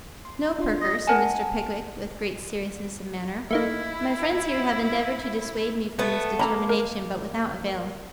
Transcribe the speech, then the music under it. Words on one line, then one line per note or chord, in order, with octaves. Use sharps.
'No, Perker,' said Mr. Pickwick, with great seriousness of manner, 'my friends here have endeavoured to dissuade me from this determination, but without avail.
C6
D4 F4 C6
D#5
A#4 F#5 G#5 A5
A3 A#3 D#4 E4
A3 B3 B4
A#3 A4 A#5 B5
A#4